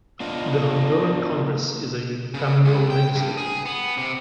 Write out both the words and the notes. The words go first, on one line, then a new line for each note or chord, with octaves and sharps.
The Honduran Congress is a unicameral legislature.
B3 D4 F4 D#5 F5
C#3
C#2
G5
G2
G#4
B3
C3